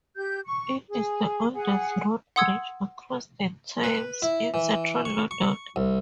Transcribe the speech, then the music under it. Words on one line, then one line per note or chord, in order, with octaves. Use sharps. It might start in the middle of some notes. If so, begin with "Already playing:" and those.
It is the oldest road bridge across the Thames in central London.
G4 G6
C#6
G#4
G#4 F#5
F#5 C6 D#6 E6 G#6 C#7
B4
E4
E3
C#6
C#6
C2